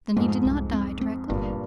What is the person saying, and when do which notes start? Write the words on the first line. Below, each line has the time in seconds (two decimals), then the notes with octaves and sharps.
'Then he did not die directly?'
0.16 F2 G#2 G#3
0.45 C2
0.73 C4
1.01 C4
1.29 G1 G2 A#2